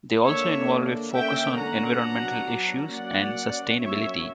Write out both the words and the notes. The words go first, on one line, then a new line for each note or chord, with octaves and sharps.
They also involve a focus on environmental issues and sustainability.
D3 A#3 D4 C#5 E5
D3 A#3 C#4 E5 G5
F#5 A#5
F#3 B3 D4
F#3 A#3 C#4 D5 F#5
F#3 A#3 C#4 C#5 E5